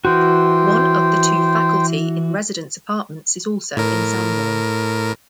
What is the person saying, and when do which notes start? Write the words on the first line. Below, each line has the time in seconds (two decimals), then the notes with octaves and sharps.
One of the two Faculty in Residence apartments is also in Sanborn.
0.05 E3 F#4 C5 G5
3.77 A2 A#4